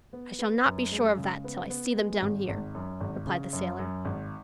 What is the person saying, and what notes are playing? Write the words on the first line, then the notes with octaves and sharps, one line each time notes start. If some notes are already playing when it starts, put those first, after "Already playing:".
"I shall not be sure of that till I see them down here," replied the sailor.
B3
B3
F#2
G#3
C#3
B3
B3
G#3
G#1
G#1
F#2
G#1
C#3
F#2
F#2
G#1